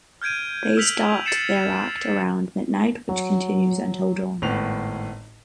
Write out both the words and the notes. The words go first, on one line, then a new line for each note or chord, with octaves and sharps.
They start their act around midnight which continues until dawn.
F6 G6 G#6 D7 D#7
E6 F6 G6 B6 F7 F#7
A6 C7 C#7 E7
F#3
G#1 A2 B3 F7